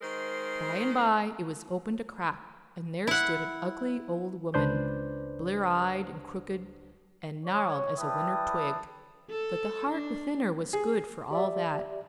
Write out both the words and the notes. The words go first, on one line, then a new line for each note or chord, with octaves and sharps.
By-and-by it was opened a crack, and there stood an ugly old woman, blear-eyed and crooked and gnarled as a winter twig. But the heart within her was good for all that.
D#3 G#3 A#4 C5
E4 F#5
C#2 D4 B4 C5 D5 G6
C#5
G3 E4 B4 G5 A5 D#6
A4
D4
G#4
G4 D5 E5